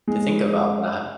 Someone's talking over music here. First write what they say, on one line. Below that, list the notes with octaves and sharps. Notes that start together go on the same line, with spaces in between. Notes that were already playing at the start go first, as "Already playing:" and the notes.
to think about that.
G#3